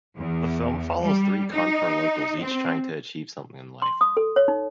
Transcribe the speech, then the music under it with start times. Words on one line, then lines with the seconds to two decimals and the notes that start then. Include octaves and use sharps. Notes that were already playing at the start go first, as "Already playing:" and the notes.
The film follows three Kanpur locals each trying to achieve something in life.
0.16 E2
1.01 G3
1.51 D#4
2.39 C4
3.82 C6
4.01 D#6
4.17 A4
4.36 C#5
4.48 D#4